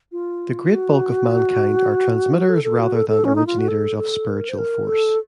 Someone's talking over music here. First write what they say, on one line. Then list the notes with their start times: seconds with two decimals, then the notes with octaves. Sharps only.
The great bulk of mankind are transmitters rather than originators of spiritual force.
0.12 F4
0.71 F#4
2.49 A4
2.64 A4
2.80 F#4
2.95 A4
3.09 A4
3.25 C#4
3.35 D#4
3.47 F4
3.58 F#4
3.68 A4
3.98 A4
4.28 A#4
4.49 C5
4.58 A#4
4.87 A4